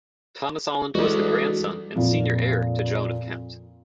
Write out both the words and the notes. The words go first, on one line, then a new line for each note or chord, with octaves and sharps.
Thomas Holland was the grandson and senior heir to Joan of Kent.
E3 G3 G#3 F#4 A4
F2 A#2